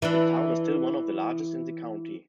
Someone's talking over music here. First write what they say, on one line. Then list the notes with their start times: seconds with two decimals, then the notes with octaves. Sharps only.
The town is still one of the largest in the county.
0.02 E3 D4 E4